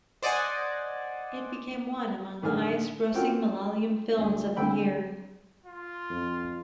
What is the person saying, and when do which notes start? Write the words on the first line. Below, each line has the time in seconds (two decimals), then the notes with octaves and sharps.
It became one among the highest-grossing Malayalam films of the year.
0.23 C5 D5 D#5 F#5 G#5
2.43 A1 D3 D#3 G#4 F6
3.14 C4 C#4 F4 F#4 A#4 G5
4.18 D2 G#4
4.56 D2 D3 C4 G5 B5 E6
5.66 F4
6.10 F2